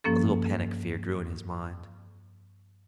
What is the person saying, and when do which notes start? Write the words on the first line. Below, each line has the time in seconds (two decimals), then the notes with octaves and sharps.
A little panic-fear grew in his mind.
0.04 G2 F3 A#3 C#4 A4